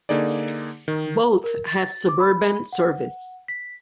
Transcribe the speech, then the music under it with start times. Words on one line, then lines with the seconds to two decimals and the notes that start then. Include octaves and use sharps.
Both have suburban service.
0.09 D3 A#3 D#4 G#4 D5
0.88 D#3
1.44 A#4
1.67 A6
2.09 D6
2.20 B5
2.73 F#5
3.48 B6